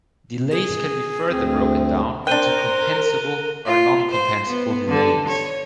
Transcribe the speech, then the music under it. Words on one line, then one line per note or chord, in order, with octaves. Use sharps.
Delays can be further broken down into compensable or non-compensable delays.
G#4
D2 C4
D4 A#4 C5 G5 F#6 D#7 G7
F4
C5
B3
D3
C#5